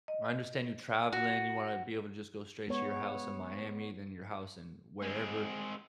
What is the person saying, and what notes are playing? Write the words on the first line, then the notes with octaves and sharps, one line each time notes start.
I understand you traveling. You wanna be able to just go straight to your house in Miami, then your house in wherever,
D#5
F#4
G#3 B3 C#5
G#3 C4